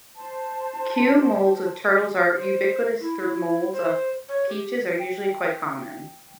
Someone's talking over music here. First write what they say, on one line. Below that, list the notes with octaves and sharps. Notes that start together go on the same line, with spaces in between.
Kue moulds with turtles are ubiquitous, though moulds of peaches are usually quite common.
C5 A5
C5
E4
E4
C5
C#5
G4
G5